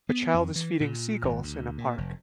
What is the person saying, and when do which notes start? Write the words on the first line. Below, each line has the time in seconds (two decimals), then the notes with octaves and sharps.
A child is feeding seagulls in a park.
0.09 B3
0.34 F2
0.56 E3
0.81 A#2
1.23 G#1
1.43 D2
1.78 A#2
1.98 F1